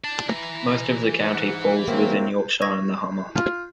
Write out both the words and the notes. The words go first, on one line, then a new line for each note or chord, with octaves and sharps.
Most of the county falls within Yorkshire and the Humber.
D5 A5
E3 A#5
G#2 F#5
C3 F#3 A#3 C4
C#6 G#6 A#6
F4